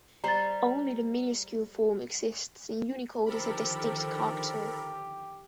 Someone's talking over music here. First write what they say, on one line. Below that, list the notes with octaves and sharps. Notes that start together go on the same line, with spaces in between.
Only the minuscule form exists in Unicode as a distinct character.
G3 C5 A#5 A6
D3 D#3 F3 G4 A4 A#4 C5 B5